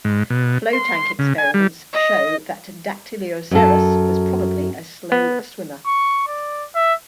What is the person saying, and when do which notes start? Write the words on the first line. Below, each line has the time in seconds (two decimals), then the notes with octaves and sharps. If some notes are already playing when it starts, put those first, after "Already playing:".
Flow tank experiments show that "Dactylioceras" was probably a slow swimmer.
0.05 G#2
0.30 B2
0.73 C6
1.19 C#3
1.38 G#5
1.54 G3
1.94 D#5
3.51 F#2 A4
5.12 B3
5.86 C#6
6.28 D5
6.75 E5